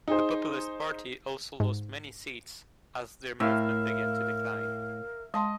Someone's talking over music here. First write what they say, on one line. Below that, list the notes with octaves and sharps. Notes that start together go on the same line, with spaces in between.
The Populist Party also lost many seats, as their movement began to decline.
D#4 G#4 C5
G#2
A2 E4 A#4 E5 F5
G#3 D#5 A5 C6